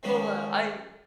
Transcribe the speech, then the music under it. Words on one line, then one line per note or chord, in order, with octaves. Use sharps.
Well, uh, I
D#3 F3 G#3 A#3 B3 C#4